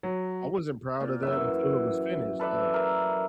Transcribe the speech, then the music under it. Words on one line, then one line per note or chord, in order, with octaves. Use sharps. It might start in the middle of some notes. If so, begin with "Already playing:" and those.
I wasn't proud of that until it was finished, like
F#3
A#2
F#2 E3 E5
A4 B4 D5 E5
A#4 E5